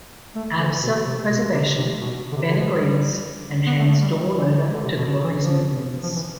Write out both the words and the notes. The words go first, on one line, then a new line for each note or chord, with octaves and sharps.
Out of self-preservation, Ben agrees, and hands Dawn over to Glory's minions.
A3
D3
B2
C3
B2
C3
C3
B2
D3
C3
D3
F3
G3
B3
A3
A3
G3
E3
E3
D3
C3
B2
E3
F3
F3
E3